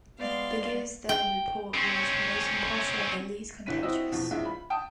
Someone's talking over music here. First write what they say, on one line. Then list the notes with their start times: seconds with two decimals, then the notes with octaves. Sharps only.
Bigge's third report was the most impartial and least contentious.
0.19 G#3 B3 D5 F5 C6
1.09 G5
1.74 C4 C#4
3.66 G1 G3 E4 B6 D#7
3.83 C4 E4 F#4 D#5 E6
4.12 E2 B2 F3
4.31 A#1 E2 G#3 F4 E5
4.45 B5
4.70 G5 A5 D#6 D7